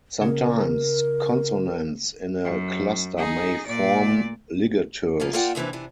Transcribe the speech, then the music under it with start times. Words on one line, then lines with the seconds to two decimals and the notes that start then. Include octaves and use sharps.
Sometimes, consonants in a cluster may form ligatures.
0.21 C#3 A#4
2.44 F#2
3.17 D#4 G#4
3.67 A#2 D5
5.20 C#3 F3 A#3 B3
5.33 A#3 F4 A#4 D5 F#5 G5
5.55 D#2 C3 E3 C4 D4
5.73 C3 E3 D4